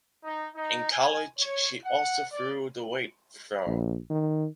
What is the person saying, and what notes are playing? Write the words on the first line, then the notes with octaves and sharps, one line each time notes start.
In college she also threw the weight throw.
D#4
D#4
G#5
C#5
F#5
D5
A#1
D#3